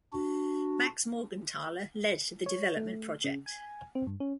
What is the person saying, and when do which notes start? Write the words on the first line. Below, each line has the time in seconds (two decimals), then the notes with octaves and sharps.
Max Morgenthaler led the development project.
0.13 D4 F#4
2.46 C#5
2.76 A3
3.24 C#3
3.46 G#5
3.95 C4
4.07 G2
4.20 C#4